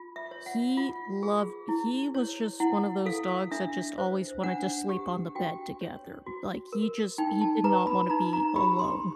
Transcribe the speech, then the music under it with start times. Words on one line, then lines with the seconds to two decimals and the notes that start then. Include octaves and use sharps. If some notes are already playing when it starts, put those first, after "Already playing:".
he loved he was just one of those dogs that just always wanted to sleep on the bed together, like, he just he did not wanna be alone.
Already playing: F4
0.16 E5
0.31 C#5
0.46 F#5
0.77 F4
1.23 G#4
1.69 E4
2.15 C#5
2.60 E4 F#5
3.06 A4 F5
3.51 D4 E5
3.98 C5
4.43 D4 F#5
4.89 G4
5.35 F#4 G5
5.81 C#5
6.26 F#4
6.73 A#4
7.18 D#4 G5
7.41 A5
7.64 B4 A#5
7.87 B5
8.10 D#4 A#5
8.33 A#5
8.56 G4 B5
8.79 C6